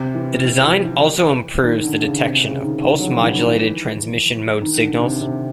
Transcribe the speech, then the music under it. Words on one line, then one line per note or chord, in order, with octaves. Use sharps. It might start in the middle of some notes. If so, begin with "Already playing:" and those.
The design also improves the detection of pulse-modulated transmission mode signals.
Already playing: C3
E3
E3
F3
E3
D#3
D3
C#3
C3
C#3
D#3
D3
F#3
F3
E3
D#3
E3
D#3
D3
C3
C3